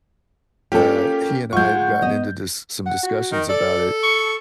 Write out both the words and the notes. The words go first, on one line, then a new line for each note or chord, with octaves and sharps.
uh, he and I have gotten into dis some discussions about it,
A#3 C#4 F4 G4 A4
G#3 F4 F#5 C#6 G6
B3 D#5
F#5
F#4
D#3
A4 D5
C#6